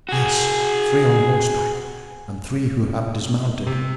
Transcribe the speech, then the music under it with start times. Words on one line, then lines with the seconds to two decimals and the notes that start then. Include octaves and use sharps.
"Yes, three on horseback and three who have dismounted."
0.09 F#4 G#4
3.67 C3